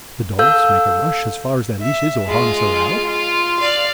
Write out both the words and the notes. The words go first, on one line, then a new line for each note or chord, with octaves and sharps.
The dogs make a rush as far as their leashes or harness allow.
A4 F5 E6 G6
E5
G#3 F4
F4
D5 F5